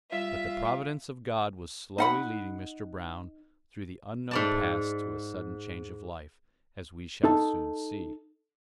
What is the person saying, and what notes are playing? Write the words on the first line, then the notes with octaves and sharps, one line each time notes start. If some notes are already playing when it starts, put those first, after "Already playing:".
But the providence of God was slowly leading Mr. Brown through the unknown paths to a sudden change of life, as we shall soon see.
G3 F4 E5
D#4 F#5 B5
G#2 D5 A5
D#4 A4 A5